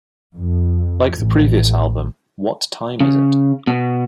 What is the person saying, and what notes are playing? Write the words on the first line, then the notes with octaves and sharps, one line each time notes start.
Like the previous album, What Time Is It?
F2
A1
C#3
B2